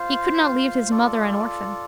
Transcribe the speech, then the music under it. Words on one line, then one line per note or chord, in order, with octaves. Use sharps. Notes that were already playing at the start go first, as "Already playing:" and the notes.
He could not leave his mother an orphan.
Already playing: F4 C5 F5
F4 A4 D5